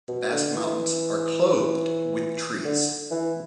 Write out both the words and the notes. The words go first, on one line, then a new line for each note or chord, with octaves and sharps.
The Basque mountains are clothed with trees.
B2
D3
E3
D3
E3